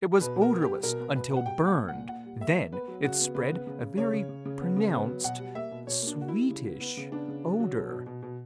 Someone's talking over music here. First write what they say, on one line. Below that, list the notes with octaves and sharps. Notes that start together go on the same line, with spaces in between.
It was odorless until burned: then it spread a very pronounced sweetish odor.
B2 B4
B2
A#4
B3
G4
G3
B2 A#4
B3
B2 B4
B2
F#5
G3 G5
A#2 F#5
A#2
A#2 F#5
A#2 F#5
G3
A#3 E5
A#3
B3 B4
F#3
C#3 F#4
B3
C#3 B4
B3
C#3
C#3
C#3 C#5
C#3
C#3
C#3
B3
C#3
B3
F#3
B2 F#5
G3
A#3 E5
B2
B2 C#5
A#3 D4
A#3 F#4
E4
G3
C#3
B3
B3
C#3
B3 D4
C#3
F#3
F#3
B2
B2
B2
B2